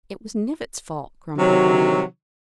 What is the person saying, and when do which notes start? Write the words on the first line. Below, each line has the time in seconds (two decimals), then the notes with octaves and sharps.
"It was Knivett's fault," grumbled Roland.
1.38 C3 D#3 F#3